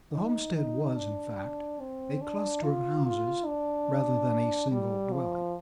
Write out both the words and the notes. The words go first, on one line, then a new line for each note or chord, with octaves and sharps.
The homestead was, in fact, a cluster of houses rather than a single dwelling.
D#4
D#4
D4
C4
D4
F4
F4
D4
G3
F3